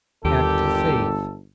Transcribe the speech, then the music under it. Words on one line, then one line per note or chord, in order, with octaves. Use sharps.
Act of Faith.
G1 D#2 A#2 G4 A4